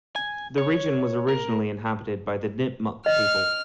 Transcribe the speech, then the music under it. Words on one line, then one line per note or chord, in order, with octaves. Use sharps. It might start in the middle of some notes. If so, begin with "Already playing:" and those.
This region was originally inhabited by the Nipmuck people.
G#5
C#5
A#4
D#5 F6